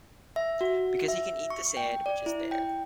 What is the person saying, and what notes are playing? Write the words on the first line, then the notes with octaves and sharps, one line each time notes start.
Because he can eat the sand which is there.
E5
F#4
E5
C#6
G5
D5
E4
G5